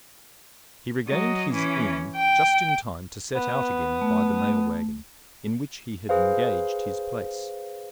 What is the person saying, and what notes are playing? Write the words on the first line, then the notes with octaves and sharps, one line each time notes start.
He regained his inn just in time to set out again by the mail-wagon, in which he had engaged his place.
F#3 D#5
E3 C#4
G5
B3
A3
G#4 B4 C5 F5